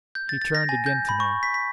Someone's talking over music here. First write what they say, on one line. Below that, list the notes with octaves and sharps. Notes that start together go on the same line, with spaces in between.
He turned again to me.
G6
A6
A6
A#6
G#5
G6
B5
C#6
B6
B6